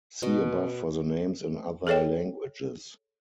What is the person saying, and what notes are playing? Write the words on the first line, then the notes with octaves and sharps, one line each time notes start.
See above for the names in other languages.
B2 D#5
G#4 A4 C#5 D#5 G5